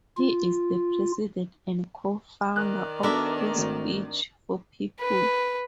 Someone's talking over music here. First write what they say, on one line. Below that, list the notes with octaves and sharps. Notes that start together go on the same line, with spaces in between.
He is the President and Co-Founder of Free Speech for People.
F4
D#3 D5 F#6
B3 D4 F#4 A4 A#4 E5
G#1 A3
B4